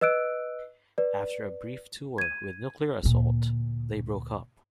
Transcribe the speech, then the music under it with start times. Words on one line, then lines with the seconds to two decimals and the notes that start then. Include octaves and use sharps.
After a brief tour with Nuclear Assault, they broke up.
0.01 B4 D#5 E6 F#6 D7
0.98 B4 D5
2.18 G#6 D#7
3.03 D2 A#2